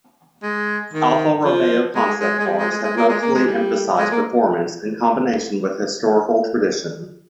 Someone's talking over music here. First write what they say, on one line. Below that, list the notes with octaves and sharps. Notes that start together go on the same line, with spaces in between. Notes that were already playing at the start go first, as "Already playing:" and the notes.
Alfa Romeo concept cars have mostly emphasized performance in combination with historical tradition.
G#3
D#3
F3
G#3
G#3
G#3
G3
G#3
G#3
G#3
A#3
G#3
A#3
G#3
G3
G#3
A#3